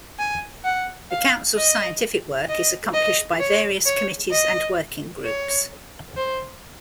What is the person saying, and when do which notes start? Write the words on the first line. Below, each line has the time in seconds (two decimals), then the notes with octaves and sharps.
The Council's scientific work is accomplished by various committees and working groups.
0.19 G#5
0.64 F#5
1.11 F5
1.57 D#5
2.49 D#5
2.94 D#5
3.40 C#5
3.86 C#5
4.32 D#5
5.25 C#5
6.17 C5